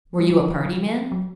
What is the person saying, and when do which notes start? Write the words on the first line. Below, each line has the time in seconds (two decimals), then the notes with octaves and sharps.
Were you a party man?
0.20 G3
0.30 F#3
0.40 F3
0.51 E3
0.66 F3
1.12 F#3